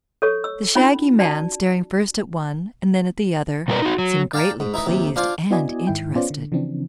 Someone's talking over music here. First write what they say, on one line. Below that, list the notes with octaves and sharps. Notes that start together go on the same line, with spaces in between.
The Shaggy Man, staring first at one and then at the other, seemed greatly pleased and interested.
A4 C#5 C#6
E6
C#4 D#4 F4 B5
F#4 D5 A5
B2 G3 F4 A#4 B4 D5
D#4 F#4
F#3
D5 F5 G5 A5 A#5
G#2
D#4 E4 B4 D#5
D#2 C3
D4 F4 C5 F5 G#5 D6
B3 E4 F#4 D5 D#5 G#5
G#2 D#3 E4 G5
B3 C#4 F4 C5 D5
D3
C#3 E3 F3 C4 D4